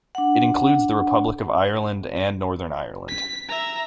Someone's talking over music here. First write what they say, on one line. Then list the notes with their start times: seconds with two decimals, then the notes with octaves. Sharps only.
It includes the Republic of Ireland and Northern Ireland.
0.15 D4 F#5
3.08 B6
3.48 E5 A#5